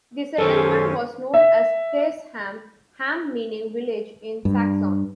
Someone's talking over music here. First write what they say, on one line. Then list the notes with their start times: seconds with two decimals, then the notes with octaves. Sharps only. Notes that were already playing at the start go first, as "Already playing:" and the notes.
The settlement was known as "Taceham" - "ham" meaning village in Saxon.
0.38 F#2 D#3 C#4 A4 C5 G#5
1.34 E5
4.45 G2